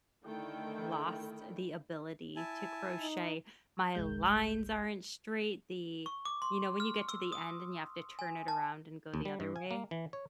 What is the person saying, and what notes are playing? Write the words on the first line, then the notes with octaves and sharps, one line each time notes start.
lost the ability to crochet. My lines aren't straight, the you know, when you get to the end and you have to turn it around and go the other way?
D3 D#3 A3 E4 A4 G5
E4 G#5 A5
D#4
G1 C2 G#3 G6
C#6
D6
C6
F6
E6
D#6
G#5
A5
D#2
G3
G2
G#5
A#3
E3
C#5